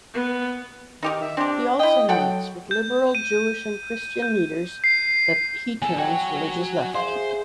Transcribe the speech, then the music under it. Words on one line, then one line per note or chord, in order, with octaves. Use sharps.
He also meets with liberal Jewish and Christian leaders that he terms "religious left".
B3
D#3 D#4 G4 A#4
E5
C4 D4 G4
E4 D#5 G5
F#3 A4 F#5 G5
G6
D#7
G6
C7
E2 A4 G#5
F#4 C#5 D5 G5
G#4 C5 D5 E5 F5 C6